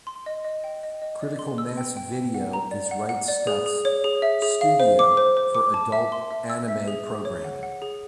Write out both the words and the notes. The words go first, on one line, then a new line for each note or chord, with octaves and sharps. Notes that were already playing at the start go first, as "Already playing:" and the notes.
Critical Mass Video is Right Stuf's studio for adult anime programming.
C6
D#5
D#5
G5
D#5
D#5
D5
C6
E6
G5
G5
G5
F#5
A#5
D5
F#5
F#5
D5
G#4
G#4
C#5
G#4
E5
G#4
F5
C5
D6
C5
C5
D6
A5
E5
C6
E5
E6
E5
G#4
G#4
C#5
F#5
F#5
G#4